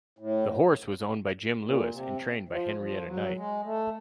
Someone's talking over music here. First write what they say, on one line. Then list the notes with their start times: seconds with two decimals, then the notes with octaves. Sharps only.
The horse was owned by Jim Lewis and trained by Henrietta Knight.
0.19 A2
1.63 A#2
1.91 C3
2.49 F3
2.78 F3
3.06 F#3
3.35 G#3
3.64 A3